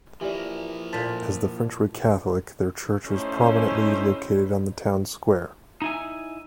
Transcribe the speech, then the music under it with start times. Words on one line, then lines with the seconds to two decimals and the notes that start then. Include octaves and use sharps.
As the French were Catholic, their church was prominently located on the town square.
0.21 E3 F3 A#3 G4 D5
0.93 A#2 C5 A5 A6 B6
3.07 A3 C#4 D#4 E4 C5
5.82 D#4 E4 G#5